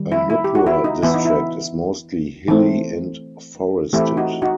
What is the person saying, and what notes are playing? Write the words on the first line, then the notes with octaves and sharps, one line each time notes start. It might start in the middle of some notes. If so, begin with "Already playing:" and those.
Anuppur District is mostly hilly and forested.
Already playing: D#3 G3
E4
E4
G4
F#4
E4
D#4
E3 B3 E4
D#4
E4
E3 A3 C4
E3 A3 C4 E4 G4
D#4 F#4
D#4 F#4